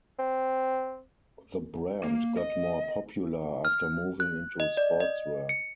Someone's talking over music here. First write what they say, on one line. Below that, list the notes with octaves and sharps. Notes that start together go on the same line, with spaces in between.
The brand got more popular after moving into sportswear.
C4
A#3
D#5
F6
F#6
D#5
D5
D#5
C#7